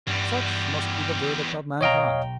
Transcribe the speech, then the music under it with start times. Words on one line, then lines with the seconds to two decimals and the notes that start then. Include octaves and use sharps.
Such must be the verdict of mankind.
0.07 E2 G2 G3
1.81 B1 C#5 D#5 F5 G5 A#5